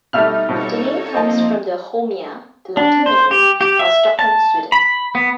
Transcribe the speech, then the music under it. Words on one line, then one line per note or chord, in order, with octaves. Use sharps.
The name comes from the "Holmia", the Latin name for Stockholm, Sweden.
B2 G3 A3 D#4 E5 F6
B2 F3 G3 D#4 A4 C#5
F3 A#3 C4 C5 D#5 A5
D4
C5
G4
G4
E5
A5
B5
B3